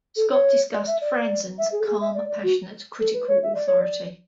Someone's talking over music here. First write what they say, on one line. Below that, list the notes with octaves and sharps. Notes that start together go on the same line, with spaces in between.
Scott discussed Franzen's, calm, passionate critical authority.
A4
C#5
D5
E5
D5
E5
G#4
A4
G#4
E5
D5
D5
F#4
A4
B4
C#5
E5
D5
C#5
D5